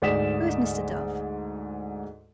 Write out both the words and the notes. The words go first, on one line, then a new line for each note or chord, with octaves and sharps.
"Who is Mr. Dove?"
D2 G#2 D5 D#6 B6 E7